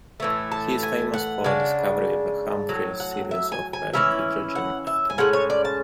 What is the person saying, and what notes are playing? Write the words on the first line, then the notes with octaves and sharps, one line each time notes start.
He is famous for discovering the Humphreys series of the hydrogen atom.
A2 E3 A3
A5
G#5
F#5
C#3 G#3 D4
A2 F#3
F#5
E5
G#5
G#5
E3 G#3 C#4 E4 E5
F#5
E5
G#5
A2 G#3 C#4 F#5
C#5
D5
A5